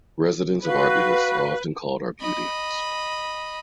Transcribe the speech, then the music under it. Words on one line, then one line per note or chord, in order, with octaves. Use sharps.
Residents of Arbutus are often called Arbutians.
F#4 B4 F5
D#5 B5